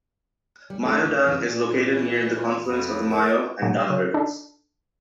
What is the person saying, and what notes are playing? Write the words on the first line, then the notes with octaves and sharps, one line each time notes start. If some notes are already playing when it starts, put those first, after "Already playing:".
Mayodan is located near the confluence of the Mayo and Dan Rivers.
G3
A3 E4 A4
E3
F2 E3
A#2
E3
F2 B5
A#4
A#2 F#3
C#3
D4 D#4 A4